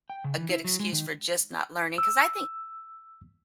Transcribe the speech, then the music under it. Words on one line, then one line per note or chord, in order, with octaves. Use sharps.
a good excuse for just not learning. 'Cause I think
G5
C#3
E3
E4
F#3
G#3
D#3
E6